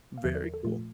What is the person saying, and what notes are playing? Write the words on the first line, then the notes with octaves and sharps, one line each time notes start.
Very cool.
F5
E2 D3 F3 E5
D5
A#4
A4
A#2 F3 A3 F4